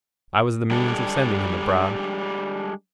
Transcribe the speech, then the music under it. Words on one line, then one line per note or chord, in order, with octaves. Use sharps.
I was the means of sending him abroad.
G3 G#3 D4 A4